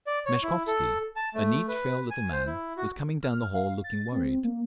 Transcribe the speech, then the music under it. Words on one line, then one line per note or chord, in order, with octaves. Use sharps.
Meshkovsky, a neat, frail little man, was coming down the hall, looking worried.
D5
C#5
E4
A4
A5
A3
B4
G#5
C5
E4
F#4
F6
F5
A6
C4
A#3